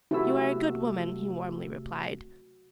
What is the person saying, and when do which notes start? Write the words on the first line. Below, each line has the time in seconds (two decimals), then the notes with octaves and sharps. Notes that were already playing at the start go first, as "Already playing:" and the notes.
"You are a good woman," he warmly replied.
0.11 C3 A3 E4 F#4 E6